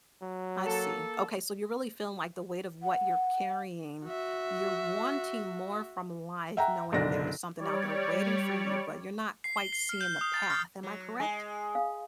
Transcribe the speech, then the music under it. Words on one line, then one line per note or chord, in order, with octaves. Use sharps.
I see. Okay, so you're really feeling, like, the weight of what you're carrying you're wanting more from life knowing there's something out there waiting for you, but you're not quite seeing the path. Am I correct?
F#3
A#3 A4
F#5
F#4 E5
E5 F#5 G5 A#5
F#1 B1 D3 D5 A#6
G3 C#5 D5
C7
G7
C7
F6
G6
D#6
A6
F6
F#3
G#3 G#5
F5